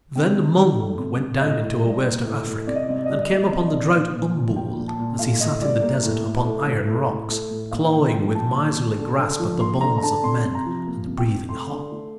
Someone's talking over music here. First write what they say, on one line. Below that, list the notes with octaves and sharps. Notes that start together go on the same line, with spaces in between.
Then Mung went down into a waste of Afrik, and came upon the drought Umbool as he sat in the desert upon iron rocks, clawing with miserly grasp at the bones of men and breathing hot.
C3 G5
C3
D#3
A3
C3
C3
A2 D#5
A2
G3
A#3
A2
A2
C3 D5
D#5
D5
C3 D#5
D5
D#5
G3 D5
D#5
A#3 D5
D#5
D5
C3 D#5
D5
D#5
C3 D5
A#2
A#2
F3
A#3 G5
A#2
A5
A#2
A2 F5
A2 D#5
G3 D5
A#3
A2
A2
A3
A2
A3
A2
A3
A2
A#2 F5
A#2 G5
F3 G5
A#3 A5
A#2
A#2
D3
D3
F3
A#3 C6
D3 A#5
A#5
D3 A5
C3 C6
C3
A#5
F3
A#3
C3
G5
C3
A3 C6
D3
A3